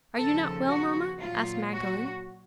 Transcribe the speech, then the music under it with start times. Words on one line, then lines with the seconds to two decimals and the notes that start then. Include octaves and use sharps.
"Are you not well, mamma?" asked Magdalen.
0.17 D#2 C#3 F3 A4
0.69 F#4
1.20 A#2 F#3 F4
1.73 F#4